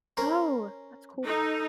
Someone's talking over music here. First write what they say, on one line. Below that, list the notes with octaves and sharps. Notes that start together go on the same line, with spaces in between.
Oh, that's cool.
C#4 A#4 C5
D#4 A4